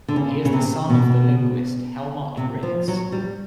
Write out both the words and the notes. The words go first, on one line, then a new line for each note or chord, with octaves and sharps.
He is the son of the linguist Helmut Rix.
D3
C#3
C#3
C3
B2
C3
F3
F#3
G3